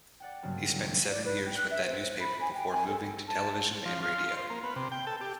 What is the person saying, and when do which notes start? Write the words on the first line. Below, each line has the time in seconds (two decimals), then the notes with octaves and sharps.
He spent seven years with that newspaper before moving to television and radio.
0.20 D5 F#5 G5
0.43 G2 C#3 F#3 G3 A#3 C4
0.75 D#2 A#2 G3
1.10 D5
1.24 B4
1.45 G5
1.56 F#6
1.70 E5
1.86 C5
2.02 C5
2.19 B5
2.40 G#5
2.52 G5
2.71 G#5
2.88 A4
3.28 A5
3.86 F3
4.03 F4
4.37 C5
4.50 A#3
4.63 B3
4.76 C3
4.92 G5
5.07 A4
5.21 G4